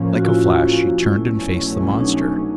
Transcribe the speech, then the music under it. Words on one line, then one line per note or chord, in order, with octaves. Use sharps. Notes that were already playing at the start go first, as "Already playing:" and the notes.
Like a flash she turned and faced the monster.
Already playing: A2 F3 A#3 C#4
F#4
F4
E4 F#4
C2 B2 F#3 A3 C#4 E4
D4
D#4